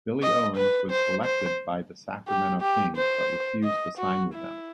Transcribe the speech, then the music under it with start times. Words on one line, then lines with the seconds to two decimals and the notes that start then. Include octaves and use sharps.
Billy Owens was selected by the Sacramento Kings but refused to sign with them.
0.23 D#5
0.56 B4
0.91 C5
1.25 C5
2.28 G4
2.62 G4
2.97 C5
3.64 D#5
3.98 F#4
4.33 E4